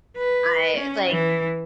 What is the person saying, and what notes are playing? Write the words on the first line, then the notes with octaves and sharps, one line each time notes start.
I, like
B4
C#4
E3